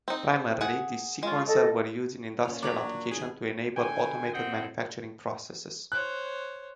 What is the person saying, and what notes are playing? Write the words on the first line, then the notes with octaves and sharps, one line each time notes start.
Primarily, these sequencers were used in industrial applications to enable automated manufacturing processes.
C4 D#4
G#4 F#5
G#3 C#4 F4
A4 D#5
A#2 C#4 F4
F#3 D4 C#5 B5 D6
G#1 G#4 B4
D3 G5 G#5
C4 D#5 F#5 G5
C5 C#5 F#6